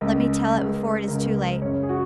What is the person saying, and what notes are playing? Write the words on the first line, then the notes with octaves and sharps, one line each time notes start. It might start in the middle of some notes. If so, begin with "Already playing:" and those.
Let me tell it before it is too late!
C#2 C#3 A#4
C#2 C#3
C#2 C#3 A#4
F#2 C#3 C#5
G#4
F#4